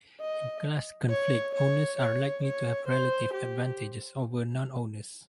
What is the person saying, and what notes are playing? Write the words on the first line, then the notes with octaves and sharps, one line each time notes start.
In class conflict, owners are likely to have relative advantages over non-owners.
D#5
C#5
C#5
C#5
C#5
C5
G4